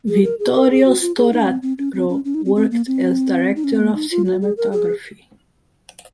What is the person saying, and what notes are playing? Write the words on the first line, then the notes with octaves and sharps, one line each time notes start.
Vittorio Storaro worked as director of cinematography.
G#4
A#4
G#4
A#4
G#4
F#4
F4
G#4
D#4
C#4
C4
C4
C#4
C4
C#4
C#4
D#4
C4
C4
A#3
C4
D#4
C#4
C4
A#3
D#4
F4
F#4
G#4
A#4
G#4